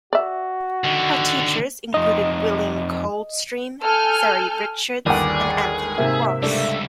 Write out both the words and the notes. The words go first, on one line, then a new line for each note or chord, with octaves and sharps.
Her teachers included William Coldstream, Ceri Richards and Anthony Gross.
F#4 D5 E5
D#2 D3
F2 D#4 D#5
A4 G#5 F6 G6
G1 D#2 G#4 D5 F#5
G#2 C3 A#3 E5
C#2 G3 A3 D4